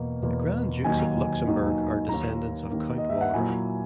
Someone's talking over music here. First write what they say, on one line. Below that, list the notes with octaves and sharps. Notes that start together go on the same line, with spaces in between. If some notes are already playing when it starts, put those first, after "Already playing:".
The Grand Dukes of Luxemburg are descendants of count Walram.
Already playing: E2 B2 A#3
E2 B2 A#3
D#2 D#3 F#3 A#3 D#4 G#5
D#2 D#3 F#3 A#3 D#4
D#2 D#3 A#3 A#5
D#2 D#3 A#3
D#5
E5
F#5
A#2 F#3 A#3 E4 G#5